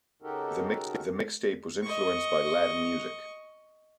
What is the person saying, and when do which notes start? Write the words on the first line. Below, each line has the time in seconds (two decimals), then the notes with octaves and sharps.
The mixtape was influenced by Latin music.
0.22 C#3 D#4 F#4 G4 A4 A#4
1.82 D#5 C#6